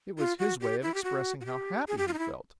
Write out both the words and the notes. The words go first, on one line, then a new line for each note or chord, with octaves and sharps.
It was his way of expressing how happy he felt.
F4
F#4
G4
E4
G4
F#4
F#4
G4
G#4
G4
F4
D#4
E4